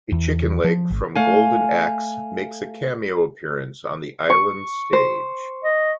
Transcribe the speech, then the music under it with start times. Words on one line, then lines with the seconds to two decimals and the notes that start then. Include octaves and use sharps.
A chicken-leg from Golden Axe makes a cameo appearance on the Island stage.
0.12 E2
0.64 F3
0.90 G#1
1.15 A3 F5 G#5
4.30 C#6
4.93 C5
5.64 D#5